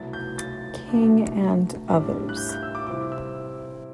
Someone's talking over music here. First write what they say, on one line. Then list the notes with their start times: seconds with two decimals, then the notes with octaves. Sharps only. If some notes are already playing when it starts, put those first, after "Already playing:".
King and others.
Already playing: C2 B2 F#3 A3 E4 A6
0.13 G6
0.38 A6
0.88 C2 B2 A3 D4
1.88 A2 G3 D4
2.29 F#6
2.37 G6
2.49 G6
2.63 E6
2.75 D6
2.87 C3 G3 C4 E4 D6
3.12 E6